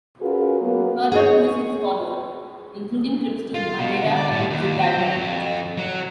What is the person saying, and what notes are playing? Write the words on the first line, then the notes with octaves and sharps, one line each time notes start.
Further cruises followed, including trips to Madeira and Gibraltar.
C#4 F4 F#4 G#4 A#4 B4
F#3 A#3 B3
G#4 C#5
F4
B2
D3
D5
A2
D#2
C4
F#3
F2
F#3